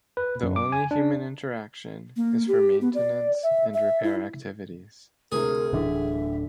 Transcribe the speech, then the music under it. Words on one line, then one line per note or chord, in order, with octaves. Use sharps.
The only human interaction is for maintenance and repair activities.
B4
F#2
D6
G#5
D4
A#3
G4
B3
D5
E5
E5
E4
D2 A2 C3 G#4 A#4
D1 A1 A2 D3 E5